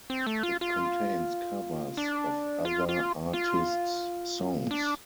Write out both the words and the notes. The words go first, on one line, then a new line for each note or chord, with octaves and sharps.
It contains covers of other artists' songs.
C4
A3
F4
F4
D4
F4
F4
F4
D4